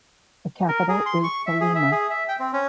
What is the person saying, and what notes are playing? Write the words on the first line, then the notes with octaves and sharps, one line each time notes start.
The capital is Salima.
A#4
G#4
C6
C#6
E5
G#4
E5
G#4
E5
G5
C4
C#4